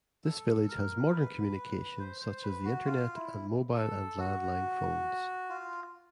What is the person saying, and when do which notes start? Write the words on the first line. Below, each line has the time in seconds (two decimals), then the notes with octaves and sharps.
This village has modern communications such as the internet and mobile and landline phones.
0.24 A4
0.68 A#4
1.12 B4
1.99 C5
2.21 C5
2.43 B4
2.65 F#4
2.86 F4
3.16 E4
3.74 A4
4.18 F#4
5.50 F4